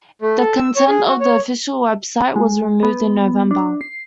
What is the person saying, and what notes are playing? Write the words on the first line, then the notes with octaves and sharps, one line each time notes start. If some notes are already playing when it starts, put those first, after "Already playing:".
The content of the official website was removed in November.
A3
A4
E6
C#5
G#4
F#4
C#5
G#3
B3
D4
C7